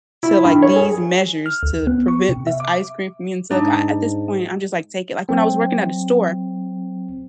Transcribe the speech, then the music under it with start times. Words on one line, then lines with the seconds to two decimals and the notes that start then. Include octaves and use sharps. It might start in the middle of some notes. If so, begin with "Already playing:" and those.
to like these measures to prevent this ice cream from being took," a at this point, I'm just like, "Take it," like, when I was working at a store,
0.23 E4
0.45 G2
0.63 C#5
0.76 G#4
1.46 F6
1.63 D2
1.87 B3
2.08 C#6
2.29 C3
2.47 E5
2.60 D6
3.50 G#2 D4 D#4
5.29 F#3 C4